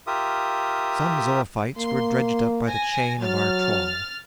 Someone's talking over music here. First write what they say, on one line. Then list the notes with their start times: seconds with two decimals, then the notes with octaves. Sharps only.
Some zoophytes were dredged up by the chain of our trawl.
0.07 F4 G4 A#4 E5 D#6
1.78 A#3 C6
2.67 G#5 A#6
3.20 F#3 F6 A6